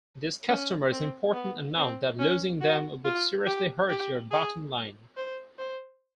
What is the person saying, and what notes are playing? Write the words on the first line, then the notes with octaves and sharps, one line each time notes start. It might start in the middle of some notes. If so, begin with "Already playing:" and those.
This customer is important enough that losing them would seriously hurt your bottom line.
C#4
C4
B3
C4
C#4
F#4
F4
G4
G4
G#4
C5
C5